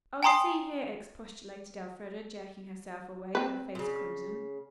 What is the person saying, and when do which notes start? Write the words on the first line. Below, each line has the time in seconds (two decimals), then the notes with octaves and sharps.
"Oh, see here," expostulated Elfreda, jerking herself away, her face crimson.
0.23 G5 G#5 A#5 C6 D#6 C7
3.35 C4 B4
3.75 A#2 C#3